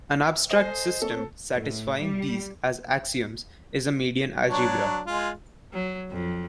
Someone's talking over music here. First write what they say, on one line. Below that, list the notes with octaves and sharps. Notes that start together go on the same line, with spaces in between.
An abstract system satisfying these as axioms is a median algebra.
A4 C5 D#5 G#5 C7
A#3 C4 A4 C#5
A2
G3
F#3 D4 C#5
G#3 F4
F#3
F2